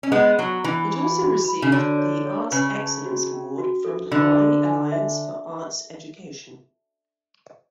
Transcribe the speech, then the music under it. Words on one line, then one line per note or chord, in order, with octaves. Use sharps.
It also received the Arts Excellence Award from the Hawaii Alliance for Arts Education.
C#4
G#3 B3 F#5
F#3 F#5
E3 F#5
B5
F#4
B5
C#3
D3 C#5
C#5
C#5
C#3 B4
A5
F#4
C#4
F#4
A4
D3 B5
A4
G#5
E5